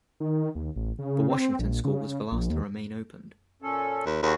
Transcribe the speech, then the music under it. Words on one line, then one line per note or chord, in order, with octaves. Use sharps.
The Washington School was the last to remain opened.
D#3
D#2
A1
C#3
C4
A#1
C#3
A#1
D#2
A#2 C#4 A4
D#2
D#2 F#4 G#4